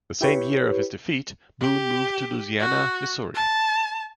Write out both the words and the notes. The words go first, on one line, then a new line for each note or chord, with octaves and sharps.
The same year of his defeat, Boon moved to Louisiana, Missouri.
E4 G4 B4 C#5
G4
F#4
A5